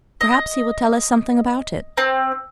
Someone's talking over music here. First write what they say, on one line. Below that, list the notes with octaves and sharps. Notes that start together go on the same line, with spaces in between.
"Perhaps he will tell us something about it."
D#5
C4